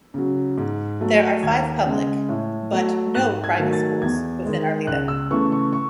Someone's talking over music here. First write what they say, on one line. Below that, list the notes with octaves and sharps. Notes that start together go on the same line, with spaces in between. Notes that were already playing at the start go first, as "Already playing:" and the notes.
There are five public but no private schools within Arleta.
C#3 F#3
G#2
F#3 A3
D#2 G#6
C#3 G#3
A2
F#3 A3
G#2 F#6
G#6
D#3 F#3 A3
A6
E2 G#6
D#3 G#3
C#2 F#6
E6
C#3 E3 A3 C#6
C#6
C#6